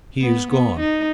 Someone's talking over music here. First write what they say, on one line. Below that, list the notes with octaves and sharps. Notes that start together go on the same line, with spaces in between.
He is gone!
B3
B3
D#4